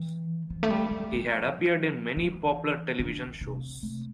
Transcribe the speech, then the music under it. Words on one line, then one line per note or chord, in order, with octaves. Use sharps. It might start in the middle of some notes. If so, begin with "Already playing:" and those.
He had appeared in many popular television shows.
Already playing: E3
F3
A3
G3
G3
F3
E3
D3
C3
C3